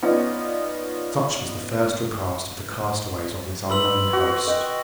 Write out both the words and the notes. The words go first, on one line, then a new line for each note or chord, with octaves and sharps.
Such was the first repast of the castaways on this unknown coast.
B3 C#4 D#4 F4 D5
B4 C6 E6 F#7
F#4
D#5 G5